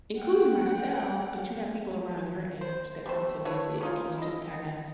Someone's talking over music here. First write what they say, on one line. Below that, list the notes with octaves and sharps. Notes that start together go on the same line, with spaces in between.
including myself, but you have people around your age that come to visit, and you just kinda
F#5 G5
C5
G3 A3 C5
D4 E4 B4 C#5
C#4 D#4 F4
E4 D#5